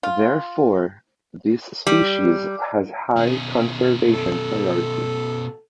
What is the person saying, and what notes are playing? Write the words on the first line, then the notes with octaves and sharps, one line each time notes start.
Therefore, this species has high conservation priority.
F4
G3
B2 C#4
A4